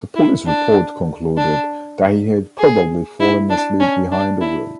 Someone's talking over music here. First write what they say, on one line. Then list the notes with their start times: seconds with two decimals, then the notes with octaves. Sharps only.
The police report concluded, that he had probably fallen asleep behind the wheel.
0.16 E4
0.47 D4
1.37 D4
2.59 G#4
3.20 E4
3.50 D4
3.80 C#4
4.12 D4
4.41 E4